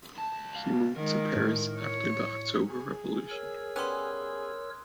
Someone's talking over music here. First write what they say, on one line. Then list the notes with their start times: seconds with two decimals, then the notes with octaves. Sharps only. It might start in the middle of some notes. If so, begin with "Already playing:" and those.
He moved to Paris after the October Revolution.
0.17 C#2 A5
0.55 F5
0.96 D#3 G#3 A#4
1.35 A2
1.78 C#5
2.70 G#4
3.30 A#4 C#5 E6
3.76 G3 B3 C#4 C6 D#6 F#6